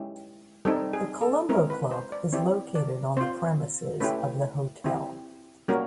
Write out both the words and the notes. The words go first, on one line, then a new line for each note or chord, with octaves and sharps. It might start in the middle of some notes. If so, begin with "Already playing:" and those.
The Colombo Club is located on the premises of the hotel.
Already playing: G#3 C#4 E4 G4
G3 C4 D#4 A4
G#4
A4
G#3 C4 E4 A#4
B4
C5
D5
C4 E4 G4 D5
D5
C4 F4 C5
A3 C#4 E4 G4 B4
C4 E4 G4
G3 A#3 C#4 F#4 A#4